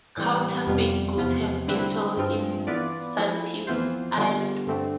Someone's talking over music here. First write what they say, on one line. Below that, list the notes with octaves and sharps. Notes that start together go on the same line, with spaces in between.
Counterfeit goods have been sold in Santee Alley.
A2 E3 G3 C4
F2 C3 G3 B3 F4
E2 C3 F3 B3 F4
D3 G3 C4 E4 B4
G2 F3 C4 F4
E3 B3 F4 B4 D5
F3 A3 E4
F2 E3 B3 F4 C5
D3 G3 B3 F4
G2 D3 A3 C4